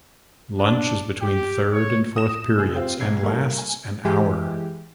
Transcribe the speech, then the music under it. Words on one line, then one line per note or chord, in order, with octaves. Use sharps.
Lunch is between third and fourth periods, and lasts an hour.
D4
G4
C#5
D#6 A#6 E7
F1 G#4 E6
C4 F4 G4 C5
B1 G#6 C7
D#3 G3 A3 A#3
G#5
E3 G#3 G4